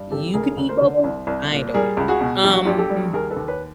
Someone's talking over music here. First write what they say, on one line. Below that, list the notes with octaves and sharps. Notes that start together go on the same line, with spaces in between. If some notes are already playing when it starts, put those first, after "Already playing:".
You can eat boba, I ain't doing it." Um,
Already playing: G2
G#1 G4 A4
D2 G#4 A#4
D2
A#4 C5
D3
C2
C2
A#2
G3 G#4 A#4
C#2
F#4 G#4
B2
A#1 G4
F#4
A#1 F4 G4
G4 A4
G3
D#2 G#4 A#4
A4 B4
D#2
B4 C#5